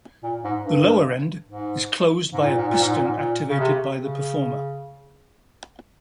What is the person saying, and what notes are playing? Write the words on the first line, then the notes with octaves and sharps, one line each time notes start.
The lower end is closed by a piston activated by the performer.
A#2
G#2
G2
G#2
G#2
A#2
G#2
A#2
G#2
A#2
G#2
A#2
C#3
C3
C#3